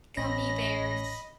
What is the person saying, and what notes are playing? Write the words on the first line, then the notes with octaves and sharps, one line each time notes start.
Gummy bears,
A1 C#4 D#5 B5 A#6